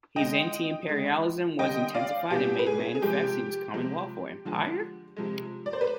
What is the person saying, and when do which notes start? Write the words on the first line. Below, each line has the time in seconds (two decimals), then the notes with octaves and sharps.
His anti-imperialism was intensified and made manifest in his Commonwealth or Empire?
0.16 D3 G#3 D#5 G5
0.88 D3 G#3
1.59 D3 G3 D#5 G5
1.94 D5 F5
2.30 B2 G3 G4
2.59 B4
2.67 G#4
2.95 G#4
3.02 C3 F3 G#3 G4
3.74 C3 F3 G#3
4.45 D3 F3 G#3
5.17 C3 F3 G#3
5.66 D5
5.73 C5
5.81 B4